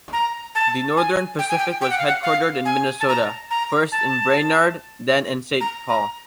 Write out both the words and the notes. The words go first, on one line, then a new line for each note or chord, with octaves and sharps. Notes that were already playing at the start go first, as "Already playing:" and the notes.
The Northern Pacific was headquartered in Minnesota, first in Brainerd, then in Saint Paul.
A#5
A5
G#5
G5
G#5
G5
G5
F#5
F5
F#5
F5
G#5
A5
A#5
A#5
A5
A#5
A#5